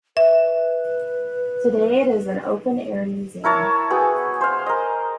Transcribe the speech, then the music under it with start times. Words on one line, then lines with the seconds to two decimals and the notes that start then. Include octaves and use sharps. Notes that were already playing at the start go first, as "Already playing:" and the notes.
Today it is an open-air museum.
0.17 B4 E5
3.44 E4 A#4 C#5 A5
3.90 B3 F#4 G#4 G5
4.41 C5 F5
4.66 A#4 D#5